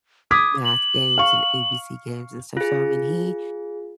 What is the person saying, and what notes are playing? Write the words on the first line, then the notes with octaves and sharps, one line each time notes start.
math games and ABC games and stuff. So I mean, he
D6 D#6 G#6 B6
F#7
F5 C#6
F4 G#4